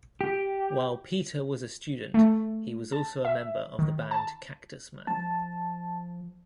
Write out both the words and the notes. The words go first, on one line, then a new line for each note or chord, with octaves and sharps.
While Peter was a student he was also a member of the band Cactusman.
G4
A3
A5
E5
D#3
A5
F3 A5